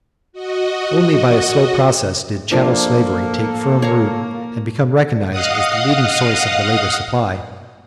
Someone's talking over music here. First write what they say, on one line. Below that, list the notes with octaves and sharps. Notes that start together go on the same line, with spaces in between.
Only by a slow process did chattel slavery take firm root and become recognized as the leading source of the labor supply.
F#4 D#5
F3 A#3 D4 A4
C#5 F5 A#5
D#5 F5 F#5 D#6